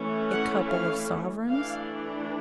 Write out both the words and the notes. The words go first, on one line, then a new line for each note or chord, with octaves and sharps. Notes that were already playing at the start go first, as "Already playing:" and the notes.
'A couple of sovereigns.'
Already playing: E3 A3 C#4
F#5
F5
E3 A3 D4 F5